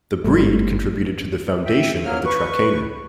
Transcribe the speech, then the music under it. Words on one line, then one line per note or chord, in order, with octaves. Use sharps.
The breed contributed to the foundation of the Trakehner.
G1 F#2 G3 A3
E5 G5
F#3 A#3 F6
B4 C#6